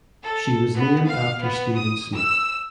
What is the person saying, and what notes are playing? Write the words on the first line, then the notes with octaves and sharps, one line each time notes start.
She was named after Stephen Smith.
A4
B3
F5
B3
D#6
E6